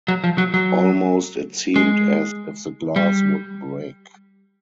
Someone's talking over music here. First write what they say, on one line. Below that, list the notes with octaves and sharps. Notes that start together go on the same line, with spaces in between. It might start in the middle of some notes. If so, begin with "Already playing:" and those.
Almost it seemed as if the glass would break.
F#3
F3
F#3
F#3
G#3
G3